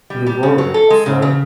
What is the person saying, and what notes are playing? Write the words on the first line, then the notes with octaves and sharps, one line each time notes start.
You wore it, sir?
G3
G3
C#3
F#3
A4
G#3
C#3
C#3